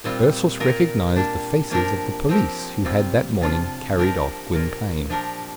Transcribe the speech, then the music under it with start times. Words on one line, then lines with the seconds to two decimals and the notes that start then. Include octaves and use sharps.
Ursus recognized the faces of the police who had that morning carried off Gwynplaine.
0.04 A#2 G3 C4 F4
0.60 A#2 A#3 F4 A#4
1.16 G3 A#3 D4
1.71 F3 A#3 D4 G4 A#4
2.29 F3 C4 G4 A#4
2.85 C3 G3 C4 F4
3.41 C3 F3 D4 F4
3.98 F3 D4 G4 A#4
4.53 A#2 A#3 F4 A#4
5.10 F3 D4 G4 A#4